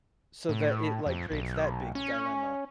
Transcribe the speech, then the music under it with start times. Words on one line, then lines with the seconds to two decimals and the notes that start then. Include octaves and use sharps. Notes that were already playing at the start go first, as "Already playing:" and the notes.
So that it, like, creates that big dilemma
0.49 A2
1.06 F2
1.32 B1
1.95 C#4